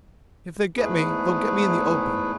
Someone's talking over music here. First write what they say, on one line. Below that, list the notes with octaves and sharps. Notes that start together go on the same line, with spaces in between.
If they get me, they'll get me in the open.
E2 G#2 A3 E4 G#4 B4